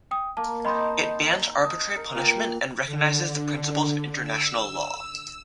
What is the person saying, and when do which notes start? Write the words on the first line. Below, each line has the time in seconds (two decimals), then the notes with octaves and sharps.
It bans arbitrary punishment and recognises the principles of international law.
0.11 G5 D#6
0.37 A#3 A5
0.65 C4 D#4 D#5 A5 B5 C6
1.65 D#6
1.96 A#4
2.15 A#2 B4 G5
2.86 D3
4.23 E6